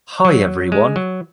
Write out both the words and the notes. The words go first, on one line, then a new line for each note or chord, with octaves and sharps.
Hi everyone.
F#3
G#3
F#3